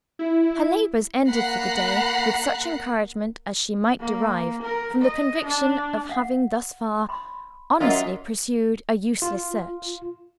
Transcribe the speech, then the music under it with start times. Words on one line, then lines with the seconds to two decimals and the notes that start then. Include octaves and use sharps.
Her labors ended, for the day, with such encouragement as she might derive from the conviction of having, thus far, honestly pursued a useless search.
0.19 E4
1.28 A#3 F#5 A#5 B5 F#6 C7
4.00 A#3
4.62 A#4
5.02 D#5
5.44 D4
6.09 F5 F#5
7.09 B5 C6
7.80 F#2 F4 A#4 D#5 F#5
9.22 F4